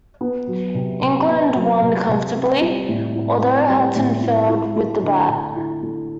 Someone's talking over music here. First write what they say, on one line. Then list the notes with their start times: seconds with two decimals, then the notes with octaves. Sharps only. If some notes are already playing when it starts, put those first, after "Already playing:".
England won comfortably, although Hutton failed with the bat.
0.21 B3
0.47 F#3
0.74 C3
1.01 C3
1.28 B3
1.55 F#3
1.82 C3
2.08 C3
2.35 C4
2.62 G3
2.89 A2
3.15 E4
3.42 C4
3.69 G3
3.96 A2
4.23 E4
4.49 E4
4.76 A3
5.03 D3
5.29 D3
5.56 E4
5.83 A3